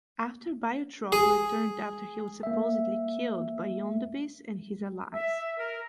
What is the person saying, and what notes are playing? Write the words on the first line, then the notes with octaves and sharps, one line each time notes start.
After Biotrog returned after he was supposedly killed by Yondabis and his allies.
G#4
A#3 E5
E5
A#4